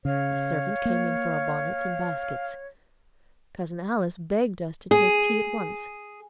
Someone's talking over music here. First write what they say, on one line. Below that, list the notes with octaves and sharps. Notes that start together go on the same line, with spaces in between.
A servant came in for our bonnets and baskets. Cousin Alice begged us to take tea at once.
C#3 C#5 F5
A#3
G#4